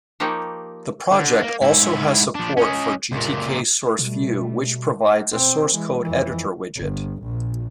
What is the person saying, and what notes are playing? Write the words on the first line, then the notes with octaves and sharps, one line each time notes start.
The project also has support for GtkSourceView, which provides a source code editor widget.
F3 A#3 D#4 G4 C#5
D3
A#3
G#2 E4
F3 D4
C#4 D#5
C#2 A#2
B2 G3 A3
B2 C4
E3 G#3
F2 E3
G1
A#1